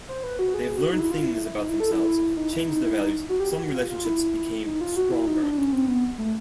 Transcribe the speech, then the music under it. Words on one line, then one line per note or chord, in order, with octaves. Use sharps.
They've learned things about themselves, changed their values, some relationships became stronger.
C5
B4
F#4
G#4
F#4
D#4
E4
F4
E4
E4
E4
D#4
E4
A4
E4
D#4
E4
D#4
E4
D#4
F#4
G4
G4
F#4
F4
F4
E4
D#4
F4
F#4
E4
D#4
D4
C#4
C4
B3
A3